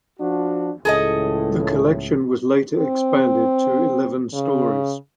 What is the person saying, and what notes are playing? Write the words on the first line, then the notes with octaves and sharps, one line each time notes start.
The collection was later expanded to eleven stories.
F3 D4 F#4
C#2 A2 G#4 A4 D#5
C4
C#3